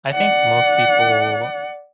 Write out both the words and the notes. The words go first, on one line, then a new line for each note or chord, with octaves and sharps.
I think most people
D5 F#5